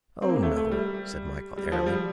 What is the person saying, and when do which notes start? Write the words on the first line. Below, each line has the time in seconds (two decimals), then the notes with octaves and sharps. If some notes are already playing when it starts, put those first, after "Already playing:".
"Oh, no," said Michael, airily.
0.22 C4
0.29 A#3
0.43 A3
0.57 A3
0.71 G3
1.57 G3
1.72 F3
1.86 G3